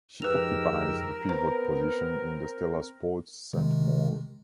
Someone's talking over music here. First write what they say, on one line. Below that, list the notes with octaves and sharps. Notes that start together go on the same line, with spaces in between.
She occupies the pivot position in the Stella Sports Saint-Maur.
F2 G#2 G4 A#4 B4 E6 F7
B3 C4 C5 A#5
C3 D#3 G#3